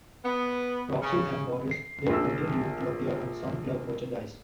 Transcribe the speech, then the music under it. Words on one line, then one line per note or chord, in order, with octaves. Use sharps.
Roxi and Boris did continue to appear on some club merchandise.
B3
C#3
C7
A#1 E6